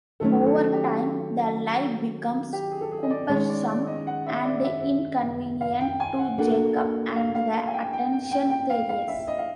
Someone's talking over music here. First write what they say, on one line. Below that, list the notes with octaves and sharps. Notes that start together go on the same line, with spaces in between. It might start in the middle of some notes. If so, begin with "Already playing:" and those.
Over time, the lie becomes cumbersome and inconvenient to Jacob, and the attention tedious.
D#3 F#3 A3 C#4 A4
A4
G4
G4
G#4
A4
G#4
D#5
D5
D#3 G#3 C#4 C#5
D5
D5
D#5
F#5
E5
D5
E5
F5
G5
G#5
F#5
A#3 D4 F#4 A4 F#5
F5
F5
F5
G#5
G5
G5
G5
G5
G5
F5
F5
E5
D#5
F5